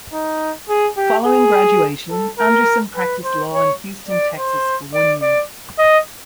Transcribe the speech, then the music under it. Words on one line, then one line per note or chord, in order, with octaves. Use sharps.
Following graduation, Anderson practiced law in Houston, Texas for one year.
D#4
G#4
G4
G#4
A4
A#4
B4
C5
C#5
D5
C5
D5
D5
D#5